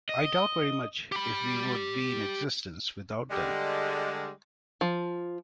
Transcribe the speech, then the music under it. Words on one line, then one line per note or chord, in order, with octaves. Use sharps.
I doubt very much if we would be in existence without them.
D#5
G4 B5
D3 G3 G#3
F3